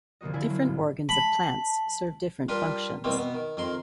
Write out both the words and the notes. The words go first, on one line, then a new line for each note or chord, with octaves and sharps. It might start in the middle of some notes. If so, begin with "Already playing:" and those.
Different organs of plants serve different functions.
F1 D3 A#3 F#4 D#5
D3 E4 A4 G#5
F#3 A#3
C2 A2
A5 B5
G3 D4 F4 A#4 B4
E2 B2 F#3 G3 A#3 C4
B2 B3
D#3
F2 D#3 A#4 C6